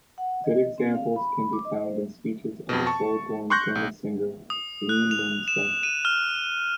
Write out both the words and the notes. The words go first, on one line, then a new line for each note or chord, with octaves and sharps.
Good examples can be found in speeches of a Seoul-born famous singer, Lee Mun-se.
F#5
D#5
C4
F5
B5
D6
D#5
C5
F2 B2
A5 C#6
C6 C#6 F#6 G6 A#6
B1
D#6
F#6
F7
E7
D#7
F6